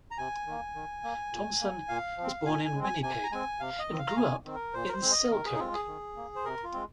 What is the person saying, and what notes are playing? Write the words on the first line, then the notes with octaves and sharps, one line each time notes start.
Thompson was born in Winnipeg and grew up in Selkirk.
A#5
C3 G#5
D#3 A#3
D#3
A#3
A#2
A#3
A#2 F5
F3 C4
A#2 G#5
G#5
G#3 C4
G#5
C3 G#5
A#5
G#3 C4 G#5
C3 F5
D#5
D#3 C4
F5
A#5
C3 G#5
D#3 C4
A#4
A#2 C5
A#4
C5
G#3 C4
D#5
D#3 A#4
G#4
D#4
G#3 C4 F4
G#4
D#3
A#3
C5
C3 A#4
F4
G#3 C4